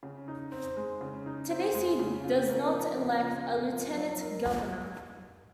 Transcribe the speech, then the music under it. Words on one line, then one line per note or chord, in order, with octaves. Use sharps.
Tennessee does not elect a lieutenant governor.
C#3
D#4
C4
G#3
C#3
D#4
C4
G#3
C#3
F4
A#3
F3
C#3
F4
A#3
F3
F#3
A#4
F4